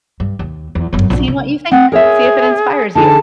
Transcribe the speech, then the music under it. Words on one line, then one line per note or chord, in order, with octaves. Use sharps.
seeing what you think. See if it inspires you.
G2
D#2
E2
G1 F#2
A#1 D4
C#3
C4 F#5
G#4 A#4 C#5 E5
D3 D#4 G#4 A5